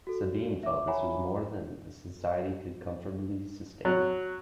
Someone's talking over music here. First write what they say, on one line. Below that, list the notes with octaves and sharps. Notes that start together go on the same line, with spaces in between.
Sabine felt this was more than the Society could comfortably sustain.
F#4 A4
E5 D6
C#5 E5 F#5 G#5 A#5 B5
F#3